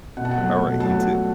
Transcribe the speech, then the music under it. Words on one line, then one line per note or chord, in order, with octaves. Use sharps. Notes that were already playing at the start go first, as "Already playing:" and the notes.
Alright, you too.
B2 F#5
A5
F#5
F#3 A3
B2
F#3 A3 F#5 A5